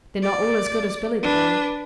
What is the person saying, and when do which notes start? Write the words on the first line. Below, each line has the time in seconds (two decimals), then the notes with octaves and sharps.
They're not all as good as Billy the Boy.
0.23 D5
1.23 D4 B4